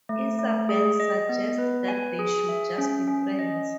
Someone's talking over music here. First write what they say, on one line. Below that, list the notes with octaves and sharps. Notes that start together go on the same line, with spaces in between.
Isabelle suggests that they should just be friends.
A3
A3
G#4
D#5
B3
B4
G#5
G#4
E5
C#4
C#4
D#5